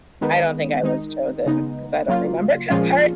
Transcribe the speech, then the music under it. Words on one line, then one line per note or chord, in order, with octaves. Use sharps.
I don't think I was chosen 'cause I don't remember that part.
D#3 G#3 B3 D#4
D#3 G#3 D#4
C#3 G#3 B3 D#4
C#3 F#3 A#3 F4
A#2 F3 G#3 C#4 F4